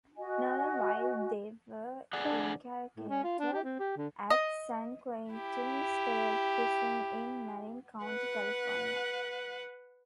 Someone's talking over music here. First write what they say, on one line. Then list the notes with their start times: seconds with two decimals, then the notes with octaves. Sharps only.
Nolen while they were incarcerated at San Quentin State Prison in Marin County, California.
0.17 F#4 D#5 G#5
2.13 G#4 D5 F#5
2.25 D4
2.97 A2
3.09 C#4
3.24 F4
3.39 D4
3.53 G4
3.64 C4
3.79 G4
3.97 D3
4.30 D#5
5.31 E4 G4
8.04 B4 F#5